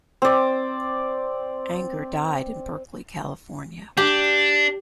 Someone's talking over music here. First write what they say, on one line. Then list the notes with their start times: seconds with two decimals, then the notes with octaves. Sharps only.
Anger died in Berkeley, California.
0.22 C4 D5
3.97 D4 G4